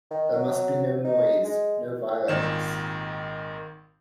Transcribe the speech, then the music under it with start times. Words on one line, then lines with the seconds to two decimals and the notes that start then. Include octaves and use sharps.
There must be no noise, no violence.
0.11 D#3
0.33 F#3
1.04 D#4
1.44 G#3
2.28 G#1 A#2 D#3 E7